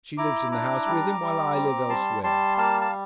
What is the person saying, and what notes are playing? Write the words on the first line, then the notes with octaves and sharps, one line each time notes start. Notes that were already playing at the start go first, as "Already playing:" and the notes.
She lives in the house with him, while I live elsewhere.
E4 A#5 D6
D4 A#5 D6
G3
G3
C4
G3 A5 C6
G3 A5 C6
A#3 F5 A5
A5